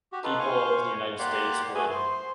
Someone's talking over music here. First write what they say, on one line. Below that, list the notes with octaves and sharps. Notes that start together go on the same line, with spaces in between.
people of the United States would
F#4 G4
D#4 F4 A4 B4
C5 F5 G#5 C#6
A#3 G4 D5 F#5 C6
A3 E4 F#4 G#4 G#5
C5 C6